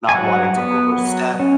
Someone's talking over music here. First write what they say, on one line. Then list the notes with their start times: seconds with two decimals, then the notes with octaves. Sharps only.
not wanting to overstep,
0.09 G#5
0.14 F#3 F#5
0.57 B3
0.98 F#3
1.40 C#4